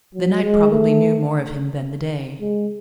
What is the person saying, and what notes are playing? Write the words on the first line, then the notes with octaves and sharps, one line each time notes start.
The night probably knew more of him than the day.
F#3
G#3
A3
G#3